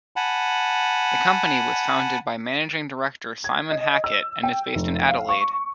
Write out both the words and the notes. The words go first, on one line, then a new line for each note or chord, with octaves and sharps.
The company was founded by Managing Director Simon Hackett and is based in Adelaide.
F#5 G#5 A5 B5
G#6
D#5
E6
G5
F1
F5
C#6